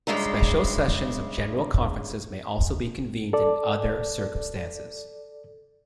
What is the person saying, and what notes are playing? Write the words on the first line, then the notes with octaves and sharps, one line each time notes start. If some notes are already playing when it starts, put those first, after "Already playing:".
Special sessions of General Conferences may also be convened in other circumstances.
G2 C#3 G#3 F4 E5 A#5
A4 D5